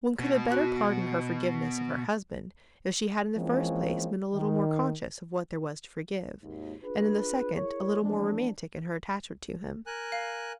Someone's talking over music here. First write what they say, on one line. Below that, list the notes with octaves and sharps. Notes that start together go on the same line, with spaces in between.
One could have better pardoned her forgiveness of her husband if she had in the first place been a little more conscious of what there was to forgive; and in the second, a little more romantic in her attachment to him.
B2
F#4 F#6
E3 F3 G#3 A#3 C4 C#4
D#3
G#1 D#2
D4 F4 G#4 B4
E4 G#4 A#4 C#5
E3 F3 A3 C4 D4
A#4 G#5 F#6
F5